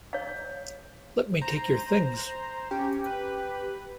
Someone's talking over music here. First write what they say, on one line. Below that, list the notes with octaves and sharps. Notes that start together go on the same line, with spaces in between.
Let me take your things.
C#5 F5
C5 A#5
C#4 G4
B4